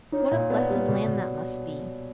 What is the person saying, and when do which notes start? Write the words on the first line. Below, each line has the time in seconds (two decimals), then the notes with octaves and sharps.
What a blessed land that must be!
0.12 D#4 C#5
0.32 A#2
0.50 B3 D5
0.70 G3
0.88 B2
1.08 B2